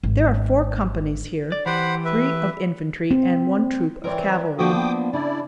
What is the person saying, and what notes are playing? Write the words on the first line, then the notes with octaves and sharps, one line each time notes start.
There are four companies here--three of infantry and one troop of cavalry.
G#1
D5
E3 G4 C5 F#5 B5
B4 E5
C4
E3 C4 A#4 C#5 D5
F3 A#3 D4 F#4 G5 D6 D#6
B3
C#3 D4 E4 D5